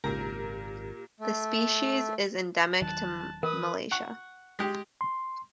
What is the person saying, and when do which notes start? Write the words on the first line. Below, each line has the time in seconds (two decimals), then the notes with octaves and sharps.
The species is endemic to Malaysia.
0.04 G#1 C#2 A#2 G4 A#4 A#5
1.20 A3
2.82 D#1 D#3 F#3 A5 F#6
3.43 E3 A#4 B4 D#6
3.91 F#5 C#6
4.59 G#3 G4
5.01 C6